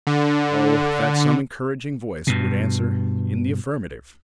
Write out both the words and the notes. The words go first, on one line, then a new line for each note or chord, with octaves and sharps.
Oh, that some encouraging voice would answer in the affirmative!
D3
G2 B2